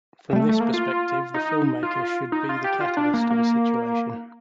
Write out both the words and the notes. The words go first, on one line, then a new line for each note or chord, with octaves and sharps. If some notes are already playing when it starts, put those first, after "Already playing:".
From this perspective, the filmmaker should be the catalyst of a situation.
G3
A3
A3
A#3
F4
D#4
F4
D#4
F4
G4
F4
D4
A#3
A#3